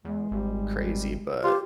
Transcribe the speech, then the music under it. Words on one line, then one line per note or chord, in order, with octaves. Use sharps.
crazy, but
E2 G#3
G#1 G3
F4 G4